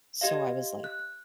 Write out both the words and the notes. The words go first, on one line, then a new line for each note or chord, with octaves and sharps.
so I was, like,
G4 D#5 F5
F#6